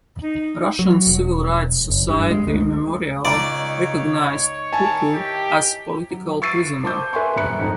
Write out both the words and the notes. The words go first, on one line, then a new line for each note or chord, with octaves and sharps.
Russian civil rights society Memorial recognized Kuku as political prisoner.
D#4
F#3
E1
F#1
G2
G#3
D2
C#2 D#4 C#5 D5
D#3 E4 G#5 A5
G4
F#3
C#6 E6 A6 C7 D7 D#7
C5 A5 C#6 D6 G6
B4 E5 G#5 C6 C#6
D#1 F#2 B5 F#6 C#7
G#1 F2 D#4